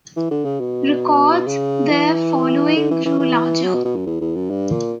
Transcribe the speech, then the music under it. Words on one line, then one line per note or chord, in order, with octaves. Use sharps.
Records, their following grew larger.
E3
D3
C#3
B2
C#3
E3
D3
E3
E3
E3
F#3
B2
B2
F#2
E2
E2
F#2
G2
A#2